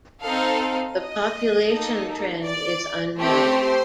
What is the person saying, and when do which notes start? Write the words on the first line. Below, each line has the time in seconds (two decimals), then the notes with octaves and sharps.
The population trend is unknown.
0.22 C4 D#4 A4 F5
0.96 D#5
1.69 A#3 D#4 A4
2.44 D5
3.18 A3 C4 G4 C5